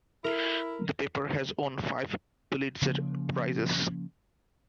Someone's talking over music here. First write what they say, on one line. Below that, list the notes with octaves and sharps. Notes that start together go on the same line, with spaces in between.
The paper has won five Pulitzer Prizes.
E4 A#4
C#3 F3 A#3